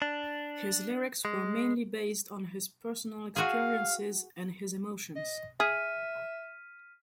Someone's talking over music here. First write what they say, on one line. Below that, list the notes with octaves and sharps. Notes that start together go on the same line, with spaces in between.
His lyrics were mainly based on his personal experiences and his emotions.
D4
G#3
F#4 G#4 F5
D#5
G#4 E5 F6 B6 D#7